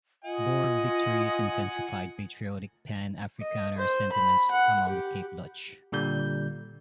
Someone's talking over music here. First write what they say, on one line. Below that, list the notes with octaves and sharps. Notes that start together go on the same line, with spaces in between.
Boer victories intensified patriotic pan-Afrikaner sentiments among the Cape Dutch.
F4 D#5 F#5 G#5
D#5
C5
B5
F#5
G4
A#2 D3 G3 G6